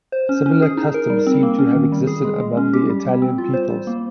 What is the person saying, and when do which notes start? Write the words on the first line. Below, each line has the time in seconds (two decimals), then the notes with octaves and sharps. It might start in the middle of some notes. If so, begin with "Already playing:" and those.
Similar customs seem to have existed among the Italian peoples.
0.12 C5
0.29 C#4
0.46 C#4
0.62 G#4
0.77 D#4
0.94 A#4
1.10 G3
1.27 C4
1.43 A#3
1.59 C#4
1.75 D#3
1.92 G3
2.07 G#4
2.25 G#3
2.40 G#3
2.57 C#4
2.73 G4
2.90 G3
3.05 G3
3.22 C4
3.38 F4
3.54 C5
3.70 G3
3.87 A#3